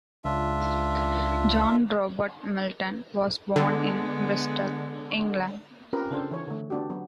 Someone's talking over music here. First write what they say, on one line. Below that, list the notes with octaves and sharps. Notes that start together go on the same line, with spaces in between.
John Robert Milton was born in Bristol, England.
C#2 D4 F4 E5
D3 G#3 B3
C4 C#4 F4 G4 A#4 B4
C#3 C4 D4 A4 C5
E3 C#5
D3 A3
B3 C4 D4 F#4 G4
F#3 B3